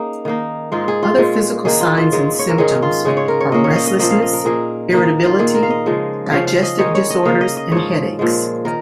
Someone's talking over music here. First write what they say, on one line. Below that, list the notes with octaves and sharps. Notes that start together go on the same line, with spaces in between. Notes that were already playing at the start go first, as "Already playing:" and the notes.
Other physical signs and symptoms are restlessness, irritability, digestive disorders, and headaches.
Already playing: A#3 C#4 D#4 G#4
D#3 A#3 D#4
G#2 G#3 D#4 F4
G#4
F4
A#2 G#3 C#4
D#3 A#3 D#4 G#4
F4
F4
G#2 G#3 C#4
C#5
A#4
G#2 D#3 G#3 C#4 G#4
F4
C#3 G#3 C#4 G#4
C#5
A#4
C#5
A#2 A#3 C#4 D#5
C#5
F5
D#5
D#5
A#2 F3 A#3 D#5
F5
D#5
A#4
A#2 A#3 D#4 G#4
D#3 A#3 D#4
F4
A#2 A#3 D#4 G#4
A#4
F5
D#5
C#3 F3 G#3
C#3 F3 C#4 F5
F5
D#5
D#3 G#3 D#4 C#5
C#5
D#5
C#3 A#3 C#4 F5
D#5
D#5
G#2 F3 C#4 C#5
A#2 F3 G#3
D#3 A#4